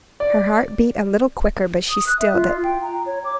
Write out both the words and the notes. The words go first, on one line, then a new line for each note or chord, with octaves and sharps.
Her heart beat a little quicker; but she stilled it.
D5
D#6
F#6
E5
F4
G5
A#5
C#5
D6